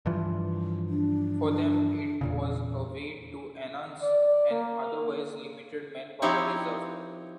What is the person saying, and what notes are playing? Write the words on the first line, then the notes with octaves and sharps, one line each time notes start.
For them it was a way to enhance an otherwise limited manpower reserve.
G2 E3 F3
D4
E2 A#2 C#3
D5
A#3
F3 C4 D#4 E4 G4 C#5